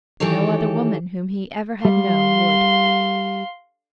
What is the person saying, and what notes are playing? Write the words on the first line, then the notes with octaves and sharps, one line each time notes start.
No other woman whom he ever had known would.
D#3 E3 G4 A4 C#5
G3 F5 C6